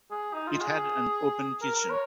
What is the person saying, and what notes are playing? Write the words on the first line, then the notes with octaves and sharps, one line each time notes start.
It had an open kitchen.
G#4
D#4
F4
G#4
A#4
A#4
C#5